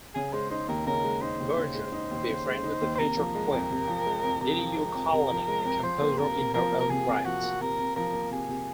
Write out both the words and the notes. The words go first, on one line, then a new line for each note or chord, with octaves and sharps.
Berger befriended the future Queen Liliuokalani, a composer in her own right.
C#3 G#4
G#3 C5
D#4 C5
D#2 A#4
C#3 A#4
G#3
D#4 C5
D#2
C#3
G#3
D#4
D#2
C#3
G#3
D#4
D#2
C5
C3 A#4
F3
G#3
F2
C3
F3
G#3
F2
C3 A#4
F3
G#3
F2
C3
F3
G#3
F2
F3 C5
A#3
C3 A#4
C3
F3 A#4
A#3
A#4
C3 G#4
C3
F3 F#4
A#3
C3 A#4
C3
F3 A#4
A#3
C3 G#4
C3